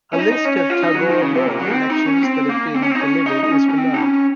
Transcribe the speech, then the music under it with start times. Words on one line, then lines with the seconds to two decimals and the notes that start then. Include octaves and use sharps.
A list of the Tagore Law Lectures that have been delivered is below.
0.13 C#4
0.19 D#4
0.32 D#4
0.45 C#4
0.57 C#4
0.70 F4
0.82 D#4
0.95 F#3
1.09 D#3
1.21 C#3
1.34 C3
1.47 A#2
1.59 F#3
1.72 C4
1.90 D#4
2.06 C#4
2.24 C4
2.49 A#3
2.74 C4
2.82 C#4
2.91 C4
2.95 D#4
3.00 C#4
3.26 D#4
3.44 D#4
3.52 C#4
3.69 C#4
3.77 C4
3.94 D#4
4.03 C#4